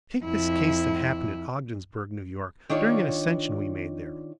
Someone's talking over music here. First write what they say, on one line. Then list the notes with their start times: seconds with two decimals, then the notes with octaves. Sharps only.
Take this case that happened at Ogdensburg, New York, during an ascension we made there.
0.25 F2 E4
2.69 D#3 D4 F4 C#5 D5